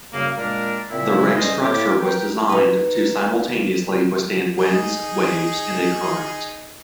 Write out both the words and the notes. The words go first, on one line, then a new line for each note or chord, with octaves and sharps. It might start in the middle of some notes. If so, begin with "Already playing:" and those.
The rig's structure was designed to simultaneously withstand winds, waves, and a current.
F#2 C#3 G3 A#3
A#2 G#3 A#3 D4 A#4
A#2 C#3 C4 E4
G2 G3 C#4 C5 D#5
A2 A#3 E4 G4
A#4 B4 G5
D#4 B4
D#4 G#4